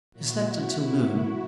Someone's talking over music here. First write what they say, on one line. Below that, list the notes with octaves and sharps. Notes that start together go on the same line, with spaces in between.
He slept until noon.
A#2 F#3 A#3 E4 F#4
A2 F#3 A#3